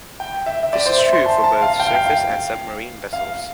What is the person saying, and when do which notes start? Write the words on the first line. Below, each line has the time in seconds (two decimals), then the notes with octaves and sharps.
This is true for both surface and submarine vessels.
0.20 G5
0.46 E5
0.63 E5
0.73 D5
0.86 C5
1.00 E5
1.13 C6
1.26 A5
1.44 A5
1.61 F5
1.80 G5
1.87 F5
1.95 G5
2.06 F5
3.13 F5